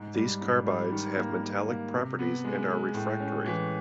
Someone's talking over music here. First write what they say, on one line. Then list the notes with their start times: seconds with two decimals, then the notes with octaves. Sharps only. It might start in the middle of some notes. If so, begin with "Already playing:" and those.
These carbides have metallic properties and are refractory.
Already playing: G#2
0.14 G3
0.41 G#2
0.66 G3
0.92 D#3
1.16 A#3
1.43 A#3
1.68 A#3
1.93 C3
2.19 B3
2.45 G#3
2.70 G#3
2.95 A2
3.20 C#4
3.46 E3